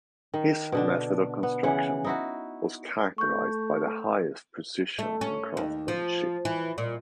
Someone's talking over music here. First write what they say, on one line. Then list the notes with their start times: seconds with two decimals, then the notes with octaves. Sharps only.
His method of construction was characterised by the highest precision in craftsmanship.
0.34 D#3
0.72 B2 D3 D4
1.43 B3
1.63 C#3 E3 F#5
2.04 D#4 E4 F#4
3.18 A3 C#6 G6
4.99 A3
5.21 C#4
5.57 D#2
5.88 F3
6.45 E3
6.78 A#2